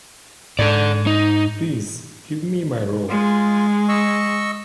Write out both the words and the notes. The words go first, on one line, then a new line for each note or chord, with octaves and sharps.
Please give me my robe.
G#2 A4 D5
D#4
G#3 F4
D#5 C#6 E6